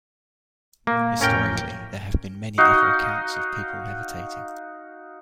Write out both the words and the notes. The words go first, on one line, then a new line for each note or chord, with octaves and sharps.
Historically, there have been many other accounts of people levitating.
A#2 A#3
A1 F2 F3 C#4 A#4 G5
D#4 F#4 D#5 F5